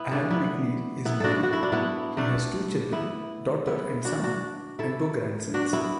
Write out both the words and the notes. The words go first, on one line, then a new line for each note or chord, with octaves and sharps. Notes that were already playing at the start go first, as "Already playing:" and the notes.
Al MacNeil is married, he has two children, daughter and son, and two grandsons.
Already playing: B3 E4
A3 D4
B3 E4
B3 E4
D4 F#4 A4
F#4
E4
D4
B3 E4
A3 D4
B3 E4
B3 E4
D4 F#4
D4 F#4
E4 A4
D4 F#4
B3 E4